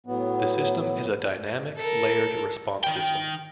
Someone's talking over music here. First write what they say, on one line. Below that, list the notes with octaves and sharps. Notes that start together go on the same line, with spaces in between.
The system is a dynamic layered response system.
A2 F#3 B3
A4 A#4
D#3 G5